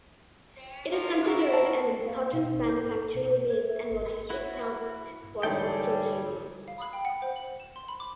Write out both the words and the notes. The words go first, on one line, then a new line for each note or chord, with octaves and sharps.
It is considered an important manufacturing base and logistics hub for coastal China.
F3 A#3 F5
E4 F#4 G#4 A#4
A5
F5
B2
G#1
G6
A4
B2
C5
G#6
E5
G#1
E4 F#4
G#2 D3 E3 G3 G#4 A4 C#5 G5
F5
B5
G5
F#5
C5
F#7
E7
C6
B5
D6